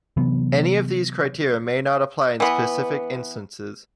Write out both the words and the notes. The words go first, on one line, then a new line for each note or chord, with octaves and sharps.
Any of these criteria may not apply in specific instances.
C3 E3 F#3 B3
E3 B3